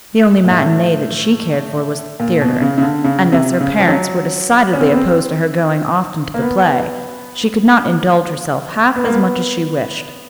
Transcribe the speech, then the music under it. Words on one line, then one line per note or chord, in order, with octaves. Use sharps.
The only matinee that she cared for was the theatre, and as her parent were decidedly opposed to her going often to the play, she could not indulge herself half as much as she wished.
A#2
A2
A#2
B2
C#3
C#3
D3
C#3
C3
C#3
F3
F#3
C#4
C4
B3
C4
A#3
B3
B3
A#3
B3